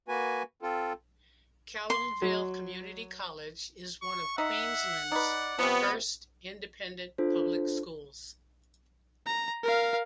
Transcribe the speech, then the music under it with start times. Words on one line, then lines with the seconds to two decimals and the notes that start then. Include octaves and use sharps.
Calamvale Community College is one of Queensland's first Independent Public Schools.
0.08 A#3 F#4 B4 G#5
0.62 C4 F4 A4
1.90 C6
2.22 F#3
4.02 C#6
4.38 D#4 E5 F#5
5.12 D#4 B4 D5
5.59 C3 F3 B3 C#5
7.18 D4 F4 A4 C5
9.26 A#5
9.63 A#4 F5